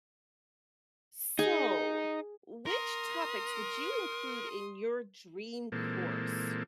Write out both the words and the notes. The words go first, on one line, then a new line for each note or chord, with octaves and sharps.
So, which topics would you include in your dream course?
D#4 G#4
A#4 C6 D#6
A#2 E3 G#3 A#3 C4 A4